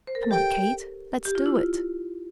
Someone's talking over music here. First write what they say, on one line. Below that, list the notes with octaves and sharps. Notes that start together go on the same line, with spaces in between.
Come on, Kate, let's do it!
C5
A#4
A4
G4 G5
G4
F4
E4
F4